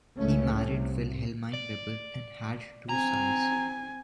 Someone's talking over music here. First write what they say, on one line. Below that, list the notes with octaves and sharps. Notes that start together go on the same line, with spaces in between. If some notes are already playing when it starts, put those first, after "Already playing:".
He married Wilhelmine Weber and had two sons.
C#2 G#2 A3 C#4
C2 C3
D5
C4 G#5 A#5